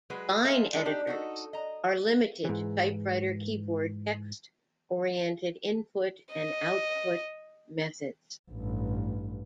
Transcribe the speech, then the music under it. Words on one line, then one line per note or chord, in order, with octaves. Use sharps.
Line editors are limited to typewriter keyboard text-oriented input and output methods.
F#3 G#3 G#4 B4
A#3 A4 A#4 C5 D#5 E5
E3 F3 G#3 D4 A4 B4
D4 D#4 G4
D#4 F#4 A4
D#5 A#5
G#2 E3
D#5
A1 G2